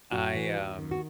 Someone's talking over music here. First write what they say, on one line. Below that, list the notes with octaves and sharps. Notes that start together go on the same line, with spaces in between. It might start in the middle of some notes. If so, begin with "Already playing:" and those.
I, um,
F#2 F#4
E3
D#2
D#3
F#4